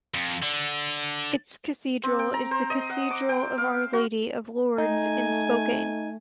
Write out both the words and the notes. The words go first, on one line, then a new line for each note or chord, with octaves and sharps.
Its cathedral is the Cathedral of Our Lady of Lourdes in Spokane.
F2
D3
C4
G5
A#5
C5
D#5
F#5
D6
G5
F5
F#4
A3 D#4 G#5